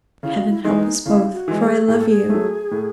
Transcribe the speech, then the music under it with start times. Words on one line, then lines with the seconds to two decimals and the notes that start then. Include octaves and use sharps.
"Heaven help us both; for I love you!"
0.23 C#3 E4
0.37 F#4
0.49 E4
0.64 E3 G#3 D#4
1.06 C#3 E4
1.34 F#4
1.48 E3 G#3
1.62 G#4
1.88 A2 G#4
1.99 A4
2.10 G#4
2.30 F#3 A3
2.71 A2